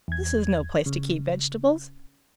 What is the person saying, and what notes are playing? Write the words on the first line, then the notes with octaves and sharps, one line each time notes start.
This is no place to keep vegetables.
E2 G#6
C#3